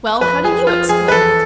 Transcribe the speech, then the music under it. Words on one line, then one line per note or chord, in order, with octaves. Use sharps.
"Well, how do YOU explain it?"
F2 B4
F2 G#4
F3 F4
F2 G#4
B4
E2 A4